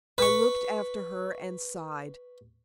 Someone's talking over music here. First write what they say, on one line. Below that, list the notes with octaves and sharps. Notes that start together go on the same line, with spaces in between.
I looked after her and sighed.
B4 C#6